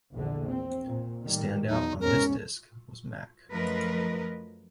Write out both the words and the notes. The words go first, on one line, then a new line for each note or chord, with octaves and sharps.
The standout on this disc was Mac.
A#1 E2 D3
C4
A#2
A2 D#3 G3
E2 F#3 D#4
E2 G#2 C#4 A#4
F#2 F3 A3 A#4 B4 D#5